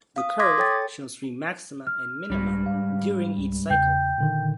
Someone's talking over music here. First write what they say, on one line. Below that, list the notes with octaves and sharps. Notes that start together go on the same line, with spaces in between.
The curve shows three maxima and minima during each cycle.
F5 D#6
C6 D6 D#6 G#6 A#6 B6
A4 C#5 G5 A6
F6
C2 G#2 G3 D4
F5
C#2
E2 C#3 G5 G6
A#2 D3 D#3